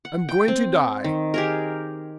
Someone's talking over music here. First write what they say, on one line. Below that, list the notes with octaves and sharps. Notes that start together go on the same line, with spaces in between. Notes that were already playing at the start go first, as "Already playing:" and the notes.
I'm going to die!'
F#5
G5
C4
D#3
G4 G#4 A#4